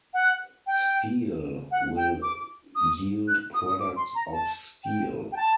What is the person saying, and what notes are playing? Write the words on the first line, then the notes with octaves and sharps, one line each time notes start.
Steel will yield products of steel.
F#5
G5
F#5
G5
D6
D#6
F#6
D#6
D#6
D6
C6
A#5
A5
G5
G5
A5